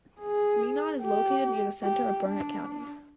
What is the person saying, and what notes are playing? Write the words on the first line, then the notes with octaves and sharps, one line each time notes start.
Meenon is located near the center of Burnett County.
G#4
G4
G4
D4